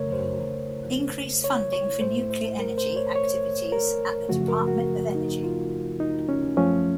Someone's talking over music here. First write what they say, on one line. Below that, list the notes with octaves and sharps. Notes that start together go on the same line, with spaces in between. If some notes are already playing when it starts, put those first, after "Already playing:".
Increase funding for nuclear energy activities at the Department of Energy.
Already playing: F2 C#3 A3 A#4 C#5
C5
C#5
C#5
A2 A3 C5
C5
A#4
C5
C#5
C#5
A#4
F#2 C#3 F3 A3 F#4
A#4
F#4
D#4
F4
D#4
C#4
F#2 F3 A3 C#4